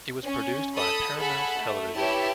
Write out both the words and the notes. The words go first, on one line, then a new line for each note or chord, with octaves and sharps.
It was produced by Paramount Television.
C#4
A4 B5 D#6
G#4 A4 F#5 B5
A3
E4 G4 B4 C#5 A5